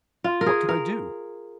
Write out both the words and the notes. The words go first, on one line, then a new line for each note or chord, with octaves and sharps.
What could I do?
F4
A#4
G#4
A#4